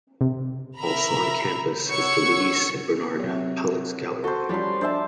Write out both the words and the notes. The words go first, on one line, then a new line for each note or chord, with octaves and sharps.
Also on campus is the Louise and Bernard Palitz Gallery.
C3
A#4 E5 A#5 B5
C#5 F#5 C#6 E6 G#6 C#7
C3 F#3
F#4 A4 C5
F3 G3 C#4 D5 C6
D4 C5 E5 A5